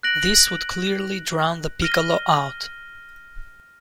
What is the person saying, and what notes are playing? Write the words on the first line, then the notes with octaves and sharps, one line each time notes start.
This would clearly drown the piccolo out.
F#6 A#6 D7 F#7
F6 A#6 D#7 G7